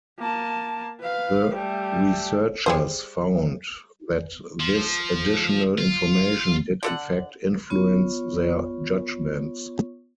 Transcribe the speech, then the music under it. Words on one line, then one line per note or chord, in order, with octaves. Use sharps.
The researchers found that this additional information did in fact influence their judgements.
A#3 A5
B4 F5
G3 A3
G3 G#4 C5
F3
F4
D3 A4 F#5
B3 F4 C#5 C#6